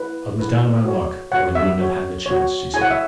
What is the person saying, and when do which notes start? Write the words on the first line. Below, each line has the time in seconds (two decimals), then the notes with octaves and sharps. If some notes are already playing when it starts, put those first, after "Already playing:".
'I was down on my luck, or he wouldn't have had the chance!' she said.
Already playing: E4 B4
0.39 E4 B4
0.85 F#4 C#5
1.32 F#4 C#5 F#5
1.55 E5
1.79 F#4 C#5
2.26 C#5
2.31 F#4
2.74 E4 G#4 C#5 G#5
2.82 F#5
2.91 E5